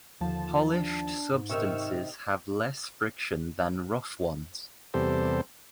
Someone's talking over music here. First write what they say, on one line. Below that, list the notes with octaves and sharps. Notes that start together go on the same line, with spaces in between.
Polished substances have less friction than rough ones.
D#2 D3 F3 A5
D4
G#2
C3 D#3 C#6 E6 F6
E2 C3 G3 A4 C5